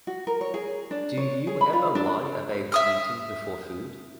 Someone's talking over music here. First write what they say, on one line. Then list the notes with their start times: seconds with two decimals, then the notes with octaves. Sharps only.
Do you ever lie about eating before food?
0.07 F#4
0.27 A#4
0.41 C#5
0.54 G#4
0.91 D4
1.17 C#5
1.47 G#4
1.61 B5
1.73 F4
1.95 D4
2.72 E5 D#6 F6